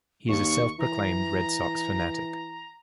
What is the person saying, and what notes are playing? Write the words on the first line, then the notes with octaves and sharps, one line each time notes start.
He is a self-proclaimed Red Sox fanatic.
D#2 C#6
E3 A#5